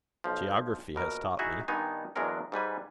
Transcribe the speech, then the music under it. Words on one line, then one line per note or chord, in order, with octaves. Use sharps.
"Geography has taught me."
B1 F3
A#1 B2 A#4
D#4 E4 F#4 G#4 E5
G2 D#3 B3 D4 D#4 G#5
E2 F#3 G#3 D4 A#4 F#5
G#2 G3 B4 G#5